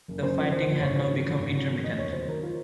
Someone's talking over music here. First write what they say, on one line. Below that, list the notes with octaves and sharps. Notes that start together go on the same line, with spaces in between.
The fighting had now become intermittent.
F#1
F#2 C5
F3
D#3 C5
A#1 C5
G#2 C#5
F#3 C#5
D#3
A#1
G#2
F#3
D#3
F1 D#5
D#2 C#5
F#3 C5
D#3 A#4
F4